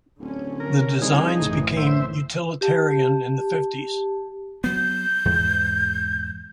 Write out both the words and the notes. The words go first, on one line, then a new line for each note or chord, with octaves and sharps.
The designs became utilitarian in the fifties.
D1 D3 C#4
A#4
C2 D#4 G#4
A1 F#2 A2 E3
C5 E5
G4 A5
F#3 B3 G6
E2 G#2